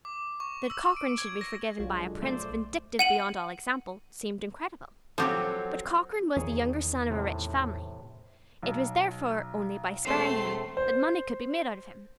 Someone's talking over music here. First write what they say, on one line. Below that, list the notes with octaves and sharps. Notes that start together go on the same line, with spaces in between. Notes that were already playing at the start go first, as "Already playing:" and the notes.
That Cochrane should be forgiven by a prince vindictive beyond all example, seemed incredible. But Cochrane was the younger son of a rich family; it was therefore only by sparing him that money could be made out of him.
D6
C#6
E6
D7
G#6
A#6
B1 D3 F#3 G#3 F4 C#5
A3 C5 D5
F#5 D#7 F#7
F3 F#3 C4 G4 A4
E2 D#3 G#4 C#5
A2 C3
B1
E1 A3 C4 C6 C7
C5